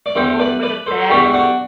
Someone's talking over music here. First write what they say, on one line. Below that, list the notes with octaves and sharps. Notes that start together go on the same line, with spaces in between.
hope for the best.
D5
E2 D3 G3 A4 C5
B4 D5
B4 D5
A4 C5
E2 D3 G3 F#4 A4
D4 F#4